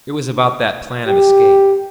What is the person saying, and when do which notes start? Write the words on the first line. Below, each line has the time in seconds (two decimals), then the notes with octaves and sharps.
It was about that plan of escape.
1.07 G4